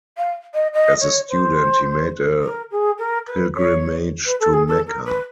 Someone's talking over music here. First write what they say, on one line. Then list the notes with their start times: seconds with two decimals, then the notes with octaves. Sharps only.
As a student, he made a pilgrimage to Mecca.
0.17 F5
0.54 D#5
0.73 D#5
1.01 C#5
1.29 C5
2.43 A#4
2.71 G#4
2.99 A#4
3.27 B4
3.56 C#5
4.26 B4
4.40 A4
4.53 G#4
4.68 A4
4.87 A#4
5.05 B4